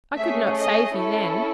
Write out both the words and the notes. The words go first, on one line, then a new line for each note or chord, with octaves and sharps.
I could not save you then.
A3 C#4 G#4 E5
D#5
C#4 E4 A4